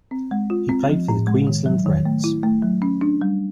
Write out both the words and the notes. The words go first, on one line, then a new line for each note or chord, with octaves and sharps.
He played for the Queensland Reds.
C4
G#3
F4
C4
F3
A2
G#3
D#3
F#3
D#3
A3
E4
A3
F#3
C#4
D4
G3